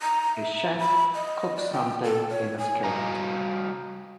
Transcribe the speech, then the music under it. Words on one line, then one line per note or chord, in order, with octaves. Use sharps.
A chef cooks something in a skillet.
A#5
E5
B5
D#5
D5
G5
A4
C#5
G#5
G3 C4 F#4 D#5 F5 A#5